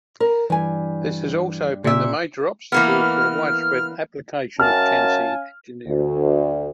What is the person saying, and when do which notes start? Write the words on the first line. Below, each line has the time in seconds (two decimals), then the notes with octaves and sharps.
This has also been the major obstacle for a widespread application of Kansei engineering.
0.20 A#4
0.50 G2 E3 G#5
1.84 A#2 C#3 E5
2.72 E3 A#3 B3 F6
4.60 F#2 C#4 F5 G#5 A5 F6
5.86 D2